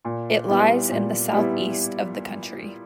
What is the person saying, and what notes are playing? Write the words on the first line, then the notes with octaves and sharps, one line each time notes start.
It lies in the southeast of the country.
A#2
G3 B3 E4
A#2
G3 B3 E4